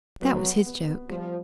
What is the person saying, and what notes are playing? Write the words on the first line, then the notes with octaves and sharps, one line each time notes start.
'That was his joke.
F#3 B3
B3
B3
B3
F3 G3